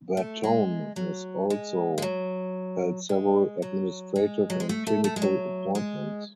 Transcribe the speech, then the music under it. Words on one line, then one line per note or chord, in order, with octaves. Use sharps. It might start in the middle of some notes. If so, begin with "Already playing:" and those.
Bertone has also held several administrative and clinical appointments.
A3
G#3
F#3
G#3
G#3
F#3
G#3
F#3
G#3
F#3
G#3
A3
A3
A3
G#3
F#3
G#3